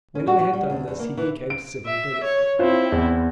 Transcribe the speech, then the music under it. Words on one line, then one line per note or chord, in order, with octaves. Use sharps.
When I had done this he became civil directly.
C#4
F#4
F#4
G3
D2
E2
A#3
E3
D7
E5
C#5
C4 E4 F4 C5
E2